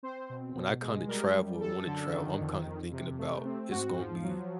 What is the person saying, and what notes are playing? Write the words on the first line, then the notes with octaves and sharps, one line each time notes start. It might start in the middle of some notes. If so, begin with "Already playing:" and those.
when I kinda travel or wanna travel, I'm kinda thinking about it's gonna be
C4 C5
B2
B2
G#3
G3 A#4
F#2
F#2 A4
D3
D#3
F2
F2
C3
A3
C4
G#2 F#4
F3
F#3